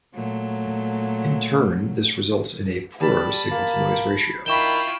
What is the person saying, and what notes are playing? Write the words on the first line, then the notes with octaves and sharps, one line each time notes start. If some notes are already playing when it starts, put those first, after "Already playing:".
In turn, this results in a poorer signal to noise ratio.
A#2 F#3 A3
G3 A5 B5
A#3
D#3 E4 F4 G5 B5 C#6 E7 G7